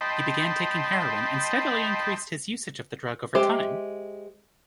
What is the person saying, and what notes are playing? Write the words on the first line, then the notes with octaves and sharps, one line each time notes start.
He began taking heroin and steadily increased his usage of the drug over time.
D#5 G5 A5 B5 C6
G#3 G4 C5 E5